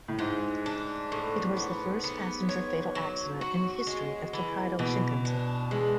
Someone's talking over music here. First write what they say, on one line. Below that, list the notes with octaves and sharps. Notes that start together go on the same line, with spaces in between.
It was the first passenger fatal accident in the history of the Tokaido Shinkansen.
A2
G#2 G#3
D4
A2
B3
B3
C#5
F#3
F#4
G#3
E3
B2 E3
D4
E3 G#3